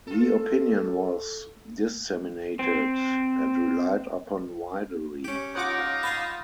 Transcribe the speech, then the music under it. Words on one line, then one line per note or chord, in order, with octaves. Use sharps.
The opinion was disseminated and relied upon widely.
F4 A4
C4
C#4 G4
D#4 F4 C#5 F#5 D6
F5
F5 G#5 A5 B5